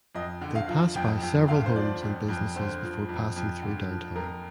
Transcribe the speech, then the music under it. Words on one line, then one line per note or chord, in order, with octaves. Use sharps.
They pass by several homes and businesses before passing through downtown.
F2 D#5
D3
F5
F3
F2 G5
F2 G5
D3 F5
C5
F3 D5
F2
F2
D3 C5
F3
F2
F2
D3
F3
F2 A#4